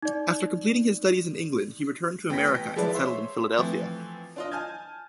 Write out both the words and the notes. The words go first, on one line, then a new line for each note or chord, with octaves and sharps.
After completing his studies in England he returned to America and settled in Philadelphia.
D#4 D5
A1 B3 G5 A#6 B6
F3 G#3 E4 A4 B4 D5
C5 C#5 E5 C6
E3 F3 A3 C4
D4 F4 D#5
G#5 A5 F6 G6 G#6